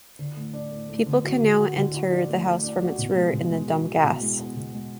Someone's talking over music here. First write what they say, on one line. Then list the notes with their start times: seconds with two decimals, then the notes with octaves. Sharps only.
People can now enter the house from its rear in the Domgasse.
0.19 D3
0.36 A3
0.53 D4
0.71 A3
0.89 A3
1.06 D3
1.24 F#4
1.42 D3
1.59 F#4
1.76 D3
1.94 F#4
2.11 D4
2.29 A3
2.46 A3
2.64 D4
2.82 F#4
2.98 B2
3.17 G#3
3.33 B2
3.51 G#3
3.69 F#4
3.86 B3
4.04 B2
4.21 G#3
4.39 B3
4.56 B2
4.74 G#3